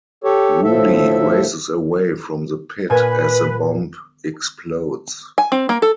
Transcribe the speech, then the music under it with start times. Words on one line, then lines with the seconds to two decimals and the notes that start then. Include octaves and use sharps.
Rudy races away from the pit as the bomb explodes.
0.24 G4 A4 C#5
0.63 D2 A2 F3 A4 E5
2.90 A#2 B4 G#5 B5
5.38 G#5
5.52 C4
5.69 A#3
5.82 A4